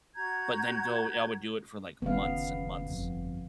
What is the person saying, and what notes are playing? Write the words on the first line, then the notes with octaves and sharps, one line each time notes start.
But then, go aw I would do it for, like, months and months.
F#4 A#5 G6 G#6
F1 D#2 C#3 B3 F5
G1 F2